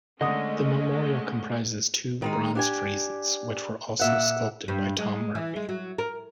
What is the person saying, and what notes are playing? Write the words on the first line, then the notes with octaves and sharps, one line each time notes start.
The memorial comprises two bronze friezes, which were also sculpted by Tom Murphy.
D3 G#3 A3 C#4 D#5 D#6
D#3 G#3 D#4
D4 G4 G#5
A#2 E5 F#5
G2
G#3
E3
G#3
F#3
A#4